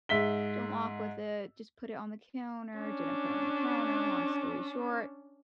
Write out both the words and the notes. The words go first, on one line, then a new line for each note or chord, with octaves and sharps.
"Don't walk with it. Just put it on the counter." Didn't put it on the counter. Long story short,
G#2 E5 B6 G7
C#4 D4